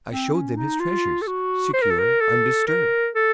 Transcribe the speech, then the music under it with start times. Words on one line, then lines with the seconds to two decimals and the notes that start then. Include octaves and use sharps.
I showed them his treasures, secure, undisturbed.
0.10 C4
0.34 C#4
0.57 D#4
0.80 F4
1.22 A4
1.27 F#4
1.73 C5
1.82 A#4
1.90 A4
1.99 A#4
2.20 A4
2.67 A#4
3.15 A4